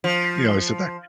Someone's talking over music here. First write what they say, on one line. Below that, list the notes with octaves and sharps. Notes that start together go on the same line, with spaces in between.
you know, I sit there?
F3